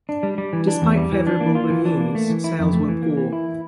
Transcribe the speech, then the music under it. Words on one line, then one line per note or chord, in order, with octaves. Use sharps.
Despite favorable reviews, sales were poor.
D4
G3
G3
E3
D4
E2
G3
E3
D4
A#3
F4
E3
D4
A#3
A3
E3
E4
F2
A3
E3
A#3
E3
E4